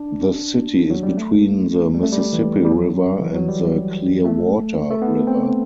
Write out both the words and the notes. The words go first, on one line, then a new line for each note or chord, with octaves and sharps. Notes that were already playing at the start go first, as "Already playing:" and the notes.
The city is between the Mississippi River and the Clearwater River.
Already playing: D4
F#3
G3
A3
G3
A3
G3
E3
G3
F#3
E3
F#3
G3
A3
A3
B3
C4